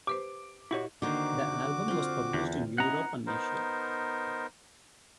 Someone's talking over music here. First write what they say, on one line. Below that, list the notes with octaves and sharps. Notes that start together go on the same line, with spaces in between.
The album was published in Europe and Asia.
G4 B4 C5 D6
A#2 E4 F#4 G4 C#5 D#5
D3 D#3 A#3 F#4 C5 D6
C4 F4
E2
C#4 E4 D#5 F#5 A#5
B3 D#4 A#4 C5